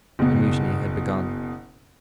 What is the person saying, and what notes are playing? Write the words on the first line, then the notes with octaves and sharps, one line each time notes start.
The mutiny had begun!
F#1 B2